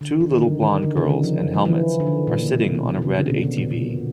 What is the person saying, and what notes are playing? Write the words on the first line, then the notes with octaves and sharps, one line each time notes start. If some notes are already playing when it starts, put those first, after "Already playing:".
Two little blond girls in helmets are sitting on a red ATV.
D3
D#3
D#3
D3
D#3
D3
C#3
D#3
F3
F3
E3
D3
D#3
A#2
B2
C3
B2
C3
C#3
D3
B2
B2
A#2
B2